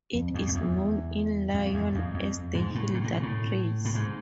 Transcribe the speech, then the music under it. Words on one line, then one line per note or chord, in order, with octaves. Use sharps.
It is known in Lyon as "the hill that prays".
F2
F2
F2
E2
F2
E2
F2
F2
G#2
A2
A#2
A2
G#2
A2
A2
G#2